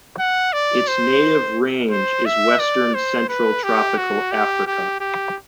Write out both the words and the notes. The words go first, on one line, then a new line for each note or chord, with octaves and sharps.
Its native range is western central tropical Africa.
F#5
D5
C5
C5
E5
D5
C5
B4
G4
F#4
G4
G4
G4